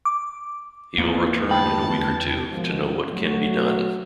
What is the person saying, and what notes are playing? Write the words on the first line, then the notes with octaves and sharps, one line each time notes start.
He will return in a week or two, to know what can be done.
D6
E2 A#3
D2 G5 A5 B5
F2 G#2 B2 D#3 F3
F#3 A3 F#4